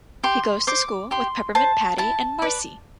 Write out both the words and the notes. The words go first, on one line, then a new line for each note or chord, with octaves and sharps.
He goes to school with Peppermint Patty and Marcie.
G4 C6
C5 D6
G4 C6
C5 A5
E4 A5
B4 D5